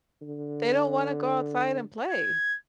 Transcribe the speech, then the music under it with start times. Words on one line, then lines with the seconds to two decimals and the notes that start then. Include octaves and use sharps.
They don't wanna go outside and play.
0.22 D3
2.11 G#6